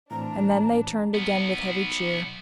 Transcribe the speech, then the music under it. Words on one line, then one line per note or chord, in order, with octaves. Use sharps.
And then they turned again with heavy cheer.
A2 E3 C4 D4 A#5
B1 B3